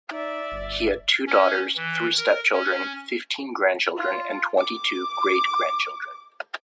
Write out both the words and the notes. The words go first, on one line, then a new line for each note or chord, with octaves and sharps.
He had two daughters, three step-children, fifteen grandchildren, and twenty-two great-grandchildren.
D#4 D5 E5
G1
C#4
E3
A#4
C#4
F4
D6